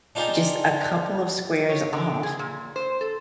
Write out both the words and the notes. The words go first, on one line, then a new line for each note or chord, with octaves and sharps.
just a couple of squares off,
D4 D#4 F4 G4 G#4
C#5
D3
G#4
A#2
C5
A4